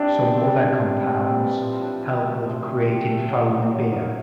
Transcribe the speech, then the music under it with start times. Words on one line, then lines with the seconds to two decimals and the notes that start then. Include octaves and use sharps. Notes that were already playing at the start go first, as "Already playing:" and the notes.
Some other compounds help with creating foam in beer.
Already playing: C3 D4
0.12 G3
0.33 C4
0.54 E3
0.75 C3
0.97 G3
1.18 C4
1.39 E3
1.60 F3
1.81 D4
2.02 G4
2.24 A3
2.45 F3
2.66 D4
2.87 G4
3.08 A3
3.29 F#3
3.50 D#4
3.72 F#3
3.93 A#3